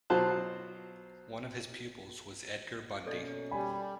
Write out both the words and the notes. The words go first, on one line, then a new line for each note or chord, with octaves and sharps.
One of his pupils was Edgar Bundy.
B2 F#3 F4 C5 A5 F#6
B2 A#3 C#4 A4 D5 D#5
G3 G#5 B5